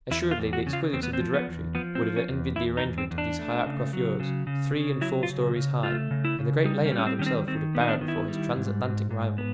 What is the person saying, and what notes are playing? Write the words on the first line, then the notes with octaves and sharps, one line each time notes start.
Assuredly, the exquisites of the Directory would have envied the arrangement of these high-art coiffures, three and four stories high, and the great Leonard himself would have bowed before his transatlantic rival.
E2 E4
F4
E2
F#4
C#3
F4
E2 C4
B3
C4
F3
B3
E2
F3 B3
C4
F3
C#4
E2
E2 E4
D#4
E2
C4
E2
D4
A3
C#3
F#3
C#3
C#3
C#3
F#3 E4
F4
C#3
C#3
A3 F4
C#3
E4
C#3
G3 D#4
C#4
G3
C#4
C4
D#3 C#4
C4
D#3 C4
B3
D#4
D4
D#3
E4
G3
G#2
G#2
G#2
B3